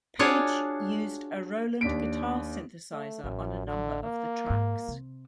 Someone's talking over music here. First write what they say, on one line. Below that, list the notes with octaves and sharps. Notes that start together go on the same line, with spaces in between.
Page used a Roland guitar synthesizer on a number of the tracks.
D4 F4 F#4 G#4 C#5
D#2 D4 B6 D7
A3
A1 F#2
D3
A#3
G#2
C3